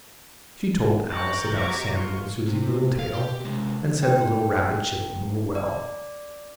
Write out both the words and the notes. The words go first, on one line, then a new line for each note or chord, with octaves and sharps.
She told Alice about Sammie and Susie Littletail, and said the little rabbit children were well.
G5 A#5 C#6 F#6 A6
F#4 G4 A#5 C#6 D6 G#6
F4 C#6
C3
F5
G4
C3 G#3
G5
D5